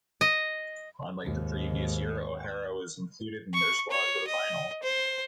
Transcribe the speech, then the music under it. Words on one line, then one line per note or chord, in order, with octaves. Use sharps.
Unlike the previous year, O'Hara was included in their squad for the final.
D#5
D#2 G#2
C#6
C#5
D#5
C5